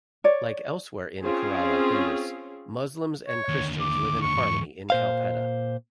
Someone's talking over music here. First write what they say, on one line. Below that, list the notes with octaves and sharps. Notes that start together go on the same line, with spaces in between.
Like elsewhere in Kerala, Hindus, Muslims and Christians live in harmony in Kalpetta.
C#5 D5
C4 C#4 F4 G#4
C#5
D#2 D3
D6
C#6
E2 G#2
A#2 C5 F5